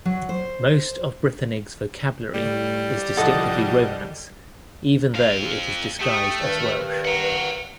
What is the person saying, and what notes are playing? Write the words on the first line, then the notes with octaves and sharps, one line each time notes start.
Most of Brithenig's vocabulary is distinctively Romance, even though it is disguised as Welsh.
F#3
C5
A2 G3
C2 F3 A4 D#5 F#5 D#6
F2 F5
A3 G4 G5 D#6
G2 D#3 B4
F#5 A#5